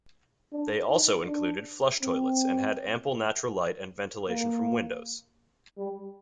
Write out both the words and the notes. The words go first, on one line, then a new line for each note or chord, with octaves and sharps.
They also included flush toilets and had ample natural light and ventilation from windows.
D4
D#4
D4
C4
A#3
G3